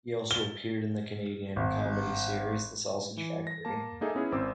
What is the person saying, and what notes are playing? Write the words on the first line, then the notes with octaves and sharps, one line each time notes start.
He also appeared in the Canadian comedy series "The Sausage Factory".
G7
G#1
E3
A#6
A#3 A5
A#3 D#4 G#4 A4 E5
B3 C#4 E4 G#4
G#1 C4 C5 D6 E6